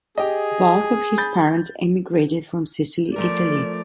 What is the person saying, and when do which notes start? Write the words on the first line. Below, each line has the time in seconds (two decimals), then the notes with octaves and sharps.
Both of his parents emigrated from Sicily, Italy.
0.18 G4 G#4 D#5
1.17 B5 G6 A6
3.16 F3 A3 A#4 D5